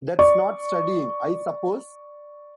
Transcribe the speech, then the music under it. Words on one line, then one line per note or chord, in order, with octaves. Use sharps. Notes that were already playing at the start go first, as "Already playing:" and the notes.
That's not studying, I suppose?
D5 C#6